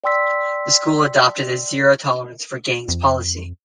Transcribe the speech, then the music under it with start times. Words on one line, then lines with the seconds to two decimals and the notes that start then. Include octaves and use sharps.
The school adopted a "zero tolerance for gangs" policy.
0.04 D5 G5 C6 E6 B6
2.88 F2